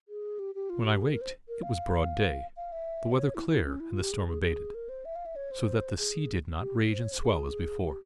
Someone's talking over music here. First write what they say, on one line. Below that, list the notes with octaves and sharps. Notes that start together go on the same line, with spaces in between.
When I waked it was broad day, the weather clear, and the storm abated, so that the sea did not rage and swell as before.
G#4
G4
G4
F4
G4
G#4
A#4
C5
A#4
F5
F5
E5
C5
C#5
E4
E4
C#4
E4
F4
G4
G#4
G#4
G#4
A#4
C5
E5
F5
E5
C#5
C5
G#4
G4
C5
C#5
C5
G#4
G4